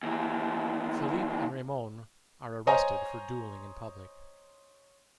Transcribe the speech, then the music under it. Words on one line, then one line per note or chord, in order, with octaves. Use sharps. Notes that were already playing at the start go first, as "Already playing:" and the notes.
Felipe and Ramon are arrested for dueling in public.
D#2 E3
C5 C#5 D#5 G#5 A#5